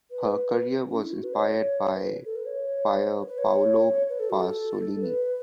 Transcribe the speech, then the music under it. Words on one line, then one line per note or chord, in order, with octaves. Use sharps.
Her career was inspired by Pier Paolo Pasolini.
B4
C#4
E4
F#4
B4
C#5
B4
A4
B4
C#5
B4
B4
C#5
B4
A4
F#4
A4
B4